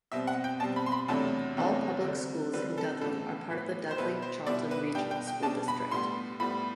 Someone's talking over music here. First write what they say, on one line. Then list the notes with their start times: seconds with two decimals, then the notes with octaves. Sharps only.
All public schools in Dudley are part of the Dudley-Charlton Regional School District.
0.12 B2 G3 C4 E5
0.27 F#5
0.44 G5
0.60 B2 G3 C4 A5
0.76 B5
0.86 C6
0.92 B5
1.08 E2 C3 F#3 A3 D4 A5
1.57 E2 C3 F#3 A3 D4
2.05 D3 G3 C4
2.53 D3 G3 C4 B4
2.78 A4
3.01 A2 E3 B3 A4
3.50 A2 E3 B3
3.91 C5
3.98 B2 G3 B3 E4 B4
4.22 C5
4.46 B2 G3 B3 E4 D5
4.71 B4
4.95 B2 G3 D4 G5
5.11 G5
5.27 G5
5.43 B2 G3 D4 A5
5.68 B5
5.91 A2 G3 B3 C6
6.40 A2 G3 B3 B5